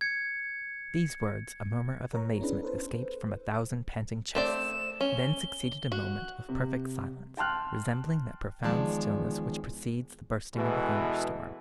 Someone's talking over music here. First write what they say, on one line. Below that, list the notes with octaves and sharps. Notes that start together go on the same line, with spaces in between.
At these words a murmur of amazement escaped from a thousand panting chests; then succeeded a moment of perfect silence, resembling that profound stillness which precedes the bursting of a thunderstorm.
G#6 C#7
A#4 C#5 A#5
B3 C#4 D4 E4 G#4 B4
A4 B4 C5
A3 C4 D5 E7
C#4 G7
F#4 F#6
C3
G5 A5 C6 F6 F#6
E2 D#3 F3 G#3 D5 A5
B2 E3 G#3 A4